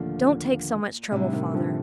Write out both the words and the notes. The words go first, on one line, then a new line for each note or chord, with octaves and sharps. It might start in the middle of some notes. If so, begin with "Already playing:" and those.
Don't take so much trouble, father.
Already playing: D#2 A#2 D3 F3 A3
A2 C3 G3 D4
C3 D#3
D3 F3